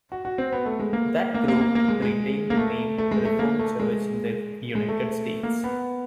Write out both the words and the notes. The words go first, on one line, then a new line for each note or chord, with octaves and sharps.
That group retained the name Reformed Church in the United States.
F#4
F#4
C4
B3
A3
G#3
A#3
A#3
A#3
A#3
A#3
G#3
G#3
A#3
A3
A3
G#3
A3
A#3
A3
G#3
G#3
A3
A#3
B3